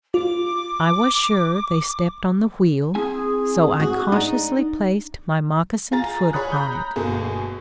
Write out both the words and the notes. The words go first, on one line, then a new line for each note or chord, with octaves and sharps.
I was sure they stepped on the wheel, so I cautiously placed my moccasined foot upon it.
F4 D6
C4 E4 G#4 G#5
F#4
D4 D#4 D5
F4 G#4 A#5 A6
G#4 C#5 B5 D#6 F#6
A#5 B5 G6
G1 B2 A3 A#3 G#4